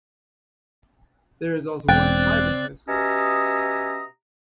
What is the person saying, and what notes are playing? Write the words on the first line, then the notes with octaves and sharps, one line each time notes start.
There is also one private high school.
E1 C4 D5 G5 F#6 A6
B2 C#4 G4 E5 A#5 D#6